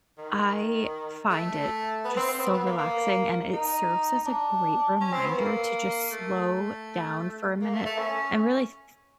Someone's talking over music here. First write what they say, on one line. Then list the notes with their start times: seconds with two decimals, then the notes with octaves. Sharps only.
I find it just so relaxing, and it serves as a great reminder to just slow down for a minute and really th th
0.18 D#3
1.30 A3
2.04 B3
2.17 C4
2.28 C4
2.41 B3
2.54 B3
2.66 A#3
2.78 A#3
3.53 D#4
4.26 D4
5.01 C#4
5.13 C4
5.26 B3
5.38 A#3
6.12 A3
7.61 A#3
7.73 A3
7.86 A3
7.98 C#4